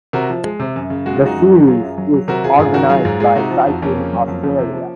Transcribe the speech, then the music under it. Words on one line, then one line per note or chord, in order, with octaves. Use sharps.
The series is organised by Cycling Australia.
C3 F#4 A#4
F3
G#3
C3
F#2
C#3
G#3 F#4
F#2 F4
D#4 F#4
F#2
D#3
F#3 F4 G#4
F#2
F#3
F#3
C3 F#4 A#4
C3 F4 G#4
G#2 F4 G#4
D#3 F#4 A#4
F#3 F4 G#4
G#2
G#3 F4 G#4
C3 D#4 F#4
F3
F2
F2 A#3 C#4
C#3
F#3
F2
F2
C3
F3